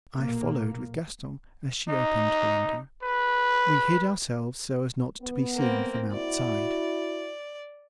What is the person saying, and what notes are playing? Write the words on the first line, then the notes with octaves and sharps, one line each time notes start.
I followed with Gaston as she opened the window. We hid ourselves so as not to be seen from outside.
B1 A#2 A#3
D#4
B4
B3
A#3 C4
E4 F#4 D5